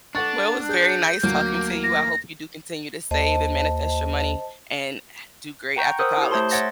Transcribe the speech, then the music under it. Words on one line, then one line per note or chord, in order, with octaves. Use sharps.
Well, it was very nice talking to you. I hope you do continue to save and manifest your money and h do great after college.
D4 A4 F#5 C#6 A6
G#4 G6
D2 F#3 A#3
A#6
D#2 C5 D#5 A5
F#5 G5 A#5 C#6 G6
A#4 C5 F#5 D#6 E6
E4 G4
A3 C5 C#5 A5 C6
C#5 E5 F#5 A6 A#6